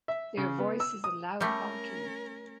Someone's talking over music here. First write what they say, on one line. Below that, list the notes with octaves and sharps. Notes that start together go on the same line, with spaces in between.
Their voice is a loud honking.
E5
C#3
B3
E6
D#6
G3 A3 C#4 A#4